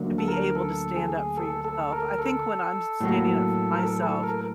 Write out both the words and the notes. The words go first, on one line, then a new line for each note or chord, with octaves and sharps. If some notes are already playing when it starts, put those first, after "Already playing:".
to be able to stand up for yourself. I think when I'm s standing up for myself,
Already playing: D2 D3 F#3 A#3
A4
A#4
A4
G#4
A4
A4
A#4
A4
A2 F#3 A#3
A#4
A4
A4
A#4